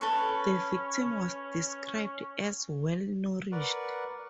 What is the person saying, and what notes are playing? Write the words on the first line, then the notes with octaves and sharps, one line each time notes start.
The victim was described as "well nourished".
C#4 A4 B4 C#6
A#4 B4 D5 F#5 C#6